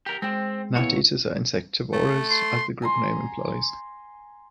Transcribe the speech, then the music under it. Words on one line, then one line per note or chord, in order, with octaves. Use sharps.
Gnateaters are insectivorous as the group name implies.
G4 A#4
G#3 C4 G5
A#2 B3 E4 C#5
A3
C6
G#5 A#5 C6